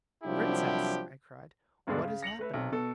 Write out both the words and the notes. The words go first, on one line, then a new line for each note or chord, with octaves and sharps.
"Princess!" I cried, "what is happening?"
C2 F3 F#3 D4 E4 G4
D2 G2 B2 D3 G#3 D4
C#3
A#6 C#7 F7 F#7
A3 B4 E5
B1 C3
B2 A4